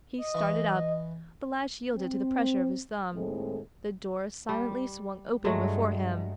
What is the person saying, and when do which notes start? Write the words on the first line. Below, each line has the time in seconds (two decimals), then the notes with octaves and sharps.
He started up, the latch yielded to the pressure of his thumb: the door silently swung open before him.
0.18 D#5
0.35 E3 C#6
1.95 C4
3.14 D#2 A2 G#3 C4 E4 A4
4.49 G3
5.45 G2 F#3 G#3 A3